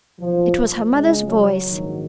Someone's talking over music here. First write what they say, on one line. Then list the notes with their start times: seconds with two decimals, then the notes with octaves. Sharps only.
It was her mother's voice.
0.20 B1 A#2 F3
0.91 C#2 C#3 G#3
1.27 F#3
1.62 A#1 G#2 D#3